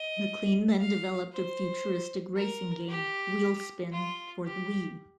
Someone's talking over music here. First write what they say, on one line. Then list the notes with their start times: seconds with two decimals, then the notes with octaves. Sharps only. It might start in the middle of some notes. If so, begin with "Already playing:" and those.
MacLean then developed a futuristic racing game, "WheelSpin", for the Wii.
Already playing: D#5
0.80 F5
1.33 C5
2.36 A#4
2.88 G4
3.92 F4
4.45 G4